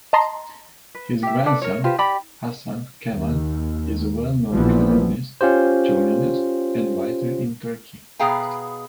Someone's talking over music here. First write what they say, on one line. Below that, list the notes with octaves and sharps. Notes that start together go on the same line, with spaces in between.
His grandson, Hasan Cemal, is a well known columnist, journalist and writer in Turkey.
D#5 A5 A#5 C6
B4
G4 E5
A4 B4 D5
A#4 C#5
F4 G4 B4 C5
G4 D5 G5 B5
D#2
A#1 E3 F3 G3 B3
C#4 F4 G4 C5
B2 B3 G#4 F5 G5 A#5